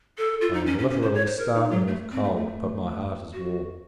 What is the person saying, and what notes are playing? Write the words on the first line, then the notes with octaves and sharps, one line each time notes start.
I am literally starving with cold; but my heart is warm.
A4
F4
D#4
C#4
C#4
C#4
C5
C#5
C5
A#4
D#4
F#3
A3
C4
A3
A3
F#4